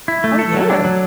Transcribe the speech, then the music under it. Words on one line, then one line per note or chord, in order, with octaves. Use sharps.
Oh, yeah.
E4
A3
A4
F#3
D4
F#3